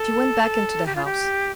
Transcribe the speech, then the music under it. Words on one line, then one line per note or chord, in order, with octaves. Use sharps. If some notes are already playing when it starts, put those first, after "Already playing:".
She went back into the house.
Already playing: A4
G4
F4
G4